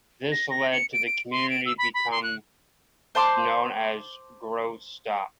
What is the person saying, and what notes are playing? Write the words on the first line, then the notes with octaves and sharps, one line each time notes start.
This led to the community become known as Groce's Stop.
A#6
A#6
C#7
D7
D7
C6
D7
E6
B5
B5
C6
F#6
C5 A5 C6 D6